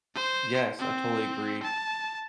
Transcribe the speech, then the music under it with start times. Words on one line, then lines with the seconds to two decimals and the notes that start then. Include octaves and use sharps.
Yes, I totally agree.
0.15 C5
0.79 C4
1.63 A5